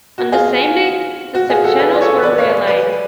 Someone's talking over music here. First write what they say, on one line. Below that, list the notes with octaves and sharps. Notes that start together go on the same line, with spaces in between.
On the same day, the subchannels were realigned.
F#4
F4 G#4
F4
F#4
F4 G#4
F#4 A4
G#4 B4
D5
A4 C#5
B4 D5
C#5 F5
B4 D5